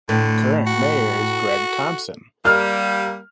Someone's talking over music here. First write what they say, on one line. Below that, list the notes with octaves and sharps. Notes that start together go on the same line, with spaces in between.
Current mayor is Greg Thompson.
A2 D3
F#4
G3 A#3 F6